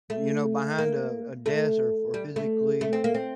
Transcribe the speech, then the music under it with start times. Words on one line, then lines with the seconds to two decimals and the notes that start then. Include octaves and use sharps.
you know, behind a a desk, or f or physically,
0.10 A3
0.78 A#3
1.46 A3
2.14 G3
2.36 A3
2.81 A3
2.93 C4
3.04 A#3
3.15 C4